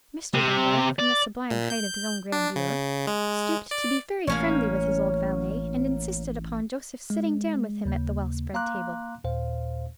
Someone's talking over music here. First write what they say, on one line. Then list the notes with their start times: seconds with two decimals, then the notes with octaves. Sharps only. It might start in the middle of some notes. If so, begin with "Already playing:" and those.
Mr. Dunbar, from the sublime height of his own grandeur, stooped to be very friendly with his old valet, and insisted upon Joseph's sitting down with him at the well-spread table.
0.34 C3
0.99 D5
1.51 A#2
1.70 G6
2.32 D4
2.56 C#3
3.07 G#3
3.71 D5
4.27 A1 A#3 C#4 C#5
7.10 G#3
7.85 D#2 C#3 A#3
8.54 A#3 F5 A#5 C6 D6 F#6
9.24 D#2 A#2 C5 F5